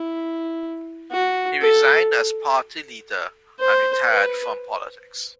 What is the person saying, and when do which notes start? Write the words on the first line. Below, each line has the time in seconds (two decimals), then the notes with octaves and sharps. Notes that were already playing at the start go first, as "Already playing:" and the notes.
He resigned as party leader and retired from politics.
Already playing: E4
1.12 F#4
1.61 A4
3.59 C5
4.09 B4